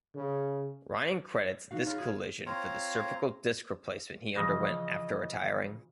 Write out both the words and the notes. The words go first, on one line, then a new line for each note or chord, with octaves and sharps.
Ryan credits this collision for the cervical disc replacement he underwent after retiring.
C#3
D#4 F#4 F5
C#3 F4
G#4
C4 F4 C5 C#5 F5 A#5
C#3 E3 F3 D#5 D#6 A#6